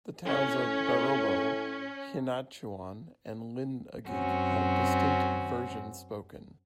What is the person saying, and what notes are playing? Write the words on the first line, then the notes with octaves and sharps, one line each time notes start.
The towns of Barobo, Hinatuan, and Lingig has a distinct version spoken.
A2 C#4
F#2 C4 C#4 F#4